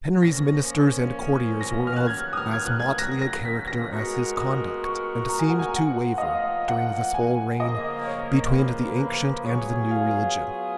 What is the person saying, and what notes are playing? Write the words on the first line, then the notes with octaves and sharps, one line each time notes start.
Henry's ministers and courtiers were of as motley a character as his conduct; and seemed to waver, during this whole reign, between the ancient and the new religion.
A#2 F3 A#3 C#4 A#6
A#6
F6
F#6
D#3 F#3 C#4 F#4 A#4 G#6
D#6
F6
G#6
F#6
G#6
A#6
A#6
B6
A#6
G#3 B3 F#4 A#4
D#6
C#6
A#5
G#5
F#5
G#5
F3 A#3 F4 F#5
D#5
F5
F#5
G#5
C#3 F3 A#3 D#5
C#5
B4
B4
F#3 B3 F4 G#4 C#5
F5